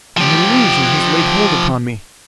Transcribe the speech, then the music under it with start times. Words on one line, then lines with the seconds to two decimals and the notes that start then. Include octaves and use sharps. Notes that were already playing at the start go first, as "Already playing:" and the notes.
An illusion has laid hold upon me.
0.17 F3 G4